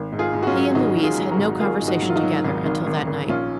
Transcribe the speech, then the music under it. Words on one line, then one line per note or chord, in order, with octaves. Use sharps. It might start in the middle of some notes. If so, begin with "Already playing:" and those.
He and Louise had no conversation together until that night.
Already playing: G#1
G#2
F4 G#4
G#2
F#4
C#4 F4
F#3
G#1 D#4 F#4
G#2
F4 G#4
F#3
F#4 A#4
G#1
G#1 F4 G#4
G#2
D#4 F#4
F#3
F4
D#4 F#4
F#3
G#1
G#1
G#1
G#1
A#1 C#4 F4